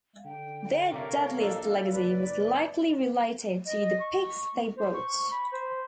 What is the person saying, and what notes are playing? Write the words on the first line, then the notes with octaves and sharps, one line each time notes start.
Their deadliest legacy was likely related to the pigs they brought.
D3 G5
C3 G3 A3 A#4 C#5 F5
A#1 D4 D#4 A4 A#4
F#1 B4 D5
D#5
C#6
C5
C#6
B5
C5